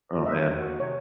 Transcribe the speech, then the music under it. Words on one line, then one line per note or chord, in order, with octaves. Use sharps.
Aw, man.
F4
G3 D#5 E5
E2
F#4
C3 C#5